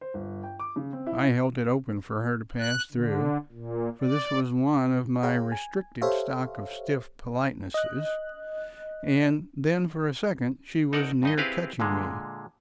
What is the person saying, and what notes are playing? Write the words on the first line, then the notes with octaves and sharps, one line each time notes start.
I held it open for her to pass through, for this was one of my restricted stock of stiff politenesses, and then for a second she was near touching me.
C5
G1
G5
D6
C#3
C4
E4
F#6
D3
A#2
D5
G#4 C#5 F5 G5 A#5
G#5
G4 A4 C5 C#5 E5 F5
D#5 F#6
C4 D#4 A4 A#4 D5 F#5
G2 D#4 D#5
C4 E4 G4 G#4 B4 F5
A#2 D3 G#3